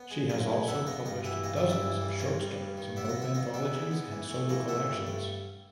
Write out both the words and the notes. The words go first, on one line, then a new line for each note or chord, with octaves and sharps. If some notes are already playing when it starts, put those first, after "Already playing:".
She has also published dozens of short stories in both anthologies and solo collections.
Already playing: B3
G#3
F#2 D#5 F5
G#3
B3 E5 F#5
B3 D#5 F5
G2 D#5 F5
E3 E5 F#5
G2 D#5 F5
D5 E5
G2
D5 E5
E3
G3
G2 C#5 D#5
G2
G2
D#3
B3 D5 E5
F#5
D#5 F5
B3
E5 F#5
D#3 D#5 F5
B3 D5 E5
G#3
B3
E3
A3
E3 D#5 F5
A3 E5 F#5
G2
A3